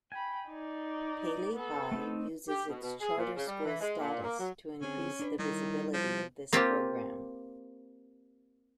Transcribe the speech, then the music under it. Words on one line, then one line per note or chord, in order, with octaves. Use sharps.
Pali High uses its charter school status to increase the visibility of this program.
G5 G#5 B5
D#4 D5
B3 A4
A3 C4 D#4
G4
B2
B2
G#4
A#2
C#3
G3
E3
G#3
A#2
A#3
F#3
D3 C4 C#4 G#4
D4 A#4 B4
D#3 G3 E4 C#5
F3
A#3 C4 F4 G4